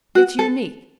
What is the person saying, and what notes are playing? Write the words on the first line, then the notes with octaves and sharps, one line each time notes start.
It's unique.
F#4
A4